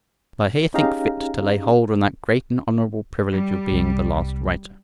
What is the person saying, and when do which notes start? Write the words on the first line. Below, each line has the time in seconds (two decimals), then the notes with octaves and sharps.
But I here think fit to lay hold on that great and honourable privilege of being the last writer.
0.74 C#4 D#4 G4 G#4 F5 A#5
3.34 G3
3.72 C2